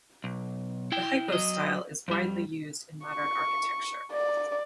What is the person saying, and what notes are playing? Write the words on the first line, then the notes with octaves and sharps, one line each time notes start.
The hypostyle is widely used in modern architecture.
B1
E4 G5
F#3 D#5
F2 G3
C#6
D5